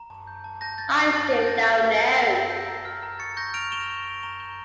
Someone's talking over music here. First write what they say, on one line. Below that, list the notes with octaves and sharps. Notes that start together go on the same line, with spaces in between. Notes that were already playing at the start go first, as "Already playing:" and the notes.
I still don’t know.
Already playing: A#5
A5
G6
A5
A5 G6 A#6
G6 A6
A5 G6
A5 A6
G6 A6
A5 G6 A#6
A#5 A6
E6
A#5
A5 G6 A#6
E6
G6
A#5
F6
A#5
C#6 A6 C#7
C#6 G6 A#6
F6 D7 F7
C#6 E7 G7
C#6
F6
A#5 E7 G7
G6 E7 G7